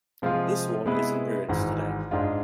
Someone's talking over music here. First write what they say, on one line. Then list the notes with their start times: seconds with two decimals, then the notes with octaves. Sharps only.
This wall is in ruins today.
0.22 C3 F3 G#3 C4 F4
0.86 C3 G#3 B3 E4 B4
1.48 G#1 G#2 E3
2.11 G#2 G#3 D4 F4